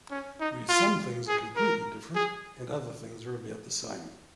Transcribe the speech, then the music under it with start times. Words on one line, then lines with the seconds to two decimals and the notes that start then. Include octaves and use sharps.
Where some things are completely different, and other things are about the same.
0.10 C#4
0.40 D#4
0.69 F4
1.28 G#4
1.56 A#4
2.15 G#4